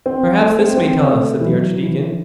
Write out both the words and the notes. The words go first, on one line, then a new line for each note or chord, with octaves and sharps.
"Perhaps this may tell us," said the Archdeacon.
C4
A3
C4
C4
A3
E3
F#3
E3